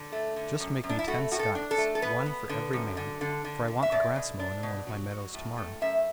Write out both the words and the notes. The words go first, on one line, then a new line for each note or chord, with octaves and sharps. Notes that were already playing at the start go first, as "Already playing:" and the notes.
Just make me ten scythes, one for every man, for I want the grass mown in one of my meadows to-morrow.'
Already playing: D3
A3
D3
F#2
F#2
D4
E4
A3 F#4
A2 F#4
A4
D4
A4
A3
A4
B3 B4
B3
D3
F#2
D3
D3
D3
D3
E5
B2 D5
B2
D4
B2
F#3
F#3
A2
A3
F#2 E5